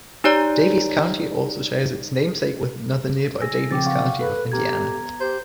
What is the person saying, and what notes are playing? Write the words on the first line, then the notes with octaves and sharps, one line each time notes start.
Daviess County also shares its namesake with another nearby Daviess County of Indiana.
D#4 G4 C#5 D5 A#5
G#5 E6 A#6
C#3 F3 C4 G5 D6 A6
F5 F#5 C#6
A4 B4
B3 G4 A#5 G#6
G4 C5